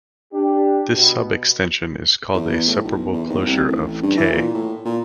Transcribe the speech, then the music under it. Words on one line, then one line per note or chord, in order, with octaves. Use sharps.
This subextension is called a separable closure of "K".
D4 G4
B2 B3
E2
A2
B1
E2
D#2
C2
A1
G2
E3
A#2
A2
A#2